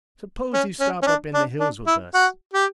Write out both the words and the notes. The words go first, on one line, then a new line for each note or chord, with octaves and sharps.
S'pose you stop up in the hills with us.
C#4
C#4
C#4
D4
D4
D4
E4
F#4
G4